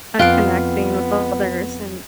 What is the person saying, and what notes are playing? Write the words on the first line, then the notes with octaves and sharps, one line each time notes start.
at connecting with others and
F2 B3 F4 F5 G5 F#6 D7